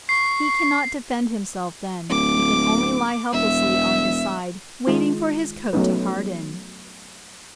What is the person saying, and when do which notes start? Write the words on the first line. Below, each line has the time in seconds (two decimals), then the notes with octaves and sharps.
He cannot defend himself then; he can only lie helplessly on his side, waiting for his coat to harden.
0.09 C#6 C7
2.10 D1 D6
3.33 E1 E5
4.87 D#3 G#3 D#4 F4
5.73 F#3 A3 B3 C#4 D#4 B4